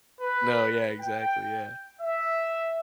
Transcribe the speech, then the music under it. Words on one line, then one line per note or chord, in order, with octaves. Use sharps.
No, yeah, exactly, yeah.
B4
G5
E5